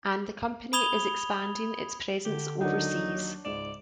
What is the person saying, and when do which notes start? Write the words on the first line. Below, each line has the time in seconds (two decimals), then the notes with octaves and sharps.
And the company is expanding its presence overseas.
0.73 B5 D#6 G#6 F7 G7
2.25 D3 G4
2.61 D#2 F#3 D4 D#4 F#4 A#4
3.45 C#2 G#2 D5 E7